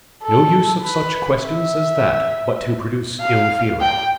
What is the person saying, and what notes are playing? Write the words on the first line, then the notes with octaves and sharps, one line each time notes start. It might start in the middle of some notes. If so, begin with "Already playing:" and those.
No use of such questions as that but to produce ill feeling.
A4
B4
E5
F5
G5